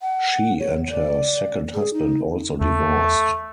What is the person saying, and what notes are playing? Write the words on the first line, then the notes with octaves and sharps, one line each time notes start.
She and her second husband also divorced.
F#5
C#5
D5
G#4
D#4
E2 A3